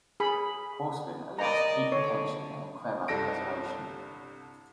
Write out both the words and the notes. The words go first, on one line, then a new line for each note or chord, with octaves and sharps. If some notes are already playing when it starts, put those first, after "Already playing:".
Porcelain allows for heat retention and crema preservation.
G#4 B5
A#4 D5 D#5 A#5
D3 C#5
C2 G2 D4 A4 A#6 D7